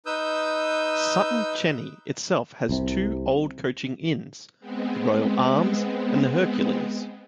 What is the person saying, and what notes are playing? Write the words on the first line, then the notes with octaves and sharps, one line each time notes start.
Sutton Cheney itself has two old coaching inns- the Royal Arms and the Hercules.
D#4 B4 D#6 E6 G6
C2 C3
G#3 B3 C4